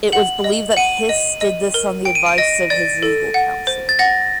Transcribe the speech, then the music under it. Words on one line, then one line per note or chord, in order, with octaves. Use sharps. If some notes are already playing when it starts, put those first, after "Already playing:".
It was believed that Hiss did this on the advice of his legal counsel.
F#5 F#7
D#5
F#7
F#5 D#7
D#5
D#5
A#4
G5 D7
D#7
D7
D#5 A#6
D5 A6
A4
F#5
C5
A6
F#5 A#6